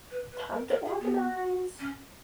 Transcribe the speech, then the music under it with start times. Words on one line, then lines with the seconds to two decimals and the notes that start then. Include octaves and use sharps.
Time to organize!
0.11 B4
0.32 B4
0.54 A#4
0.69 A#4
0.85 G#4
1.00 B3
1.80 C#4